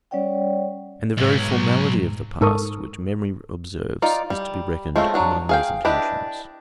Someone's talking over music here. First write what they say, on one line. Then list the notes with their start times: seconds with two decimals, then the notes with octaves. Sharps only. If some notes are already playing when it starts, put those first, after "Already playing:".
And the very formality of the past, which memory observes, is to be reckoned among these intentions.
0.11 G3 C#4 C#5 D5 F#5 G5
1.17 B1 G#2 F#3
2.41 G#2 A4 A#4 C#6 D#6
4.02 D#4 F4 D5
4.30 G3
4.96 G#3 A3 C4 C#4 F4
5.14 F#3 D4 F#4
5.49 G#4 F5 G5
5.85 D4 E4 G4 B4 D#5